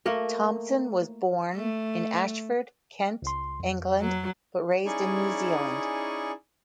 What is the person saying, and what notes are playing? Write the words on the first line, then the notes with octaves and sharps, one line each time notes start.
Thompson was born in Ashford, Kent, England, but raised in New Zealand.
A3 A#3 A#4
A3
C#2 C6
F2
F#3
C#4 D#4 E4 G#4 D5 C#6